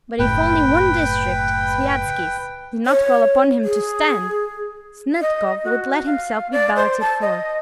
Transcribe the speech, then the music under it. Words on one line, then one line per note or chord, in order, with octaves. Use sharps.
But if only one district, Sviazhsky's, did not call upon him to stand, Snetkov would let himself be balloted for.
F#1 A2 B4 G5
C#5
G#4
D#5
F#4
F5
D5
C5
A5
D#5